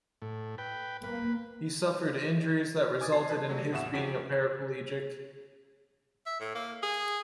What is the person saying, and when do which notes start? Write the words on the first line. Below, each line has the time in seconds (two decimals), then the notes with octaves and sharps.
He suffered injuries that resulted in his being a paraplegic.
0.22 A2
0.58 B4 G5
1.04 A#3 B4
3.01 G#5 D6 D#6 G#6 A6
3.12 G#5 A5 C7
3.30 B4 A5
3.49 C3 F#3 A3
3.72 A1 E2 A2 E5 F#5 E7
3.94 F2 C3 F#4 B6 D7
6.26 E5
6.40 A2
6.55 A#3
6.83 G#4